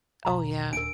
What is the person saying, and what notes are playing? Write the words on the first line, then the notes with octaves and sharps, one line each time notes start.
Oh yeah.
E1 B1 A#5
D#1 D4 A#4 D7